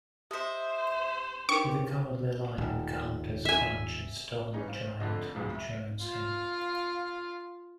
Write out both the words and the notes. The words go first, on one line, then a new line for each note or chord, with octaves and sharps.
The Cowardly Lion encounters Crunch, a stone giant, who joins him.
G4 C5 D#5 E5
D4 D#4 G4 A#4 C#6
D#1
E5 G#5
E3 G3 C#4 D#4 G#4
C5 F5
F2 D3 A3 A4 D#5
G#1 C#2 F#2 C#3 G#3
E5
F4 F5